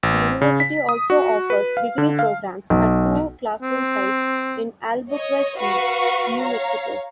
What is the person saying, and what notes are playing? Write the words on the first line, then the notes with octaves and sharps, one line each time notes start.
The University also offers degree programs at two classroom sites in Albuquerque, New Mexico.
A1
C#3
B6
D#6
F#4
B4
F5
D3
F5
B1
C4
C#5 D#5
F#4 B4 F5 F#5 C#6
C#5 F5 A#5